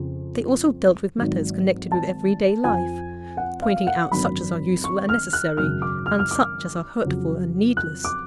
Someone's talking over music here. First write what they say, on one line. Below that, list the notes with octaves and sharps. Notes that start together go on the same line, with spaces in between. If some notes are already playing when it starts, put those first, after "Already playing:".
They also dealt with matters connected with every-day life, pointing out such as are useful and necessary, and such as are hurtful and needless.
Already playing: F2 C#3 F3
G#1 G#2 F#3
A5
F2 F3 G#5
F#5
F5
F#5
G#1 F#2 D3 F#3 B5
C#6
F6
F#6
G#1 F#2 C#3 F6
D6
F6
F6
D6
F2 C#3 F#3
F#6
D6